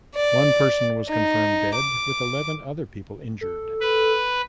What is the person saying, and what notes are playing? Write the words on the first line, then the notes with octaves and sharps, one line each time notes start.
One person was confirmed dead with eleven other people injured.
D5
D#4
D6
A4
B4